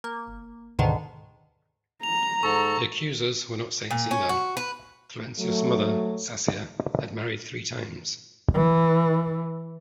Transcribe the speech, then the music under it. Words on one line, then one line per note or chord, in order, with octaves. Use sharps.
The accusers were not saints either: Cluentius' mother, Sassia, had married three times.
A#3
D2 G#2 B2 D3 D#3
A#5 F7
G#2 A4 C#6
A#2
C#4
F#4
B4
F#3 A3
E3